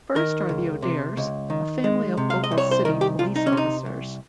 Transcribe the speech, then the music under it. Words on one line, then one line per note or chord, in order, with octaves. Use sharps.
First are the O'Dares, a family of Opal City police officers.
D#3 A#4
C#2
C3
C#2
D#3
G#3
C3
F5
D#5
C2
C#5
C5
D#3 A#4
G4
C2 F4
D#4
C#4
C3 D#4
C2